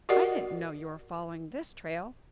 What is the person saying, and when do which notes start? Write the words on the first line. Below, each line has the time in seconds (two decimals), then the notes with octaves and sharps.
I didn't know you were following this trail.
0.09 F#4 G4 A#4 D5 D#5 F#5